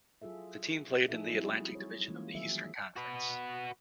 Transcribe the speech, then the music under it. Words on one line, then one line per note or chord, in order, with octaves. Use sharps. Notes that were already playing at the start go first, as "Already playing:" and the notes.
The team played in the Atlantic Division of the Eastern Conference.
F#3 F4 G#4 A4 E5
F3 D#4 E4 G#4 A4 E5
G3 G#3 C4 E4 F#4 G#4
F#3 C#5
E3 G#3 A#3 C#4 F4
D#3 F#3 G#4 E5
F#4 B4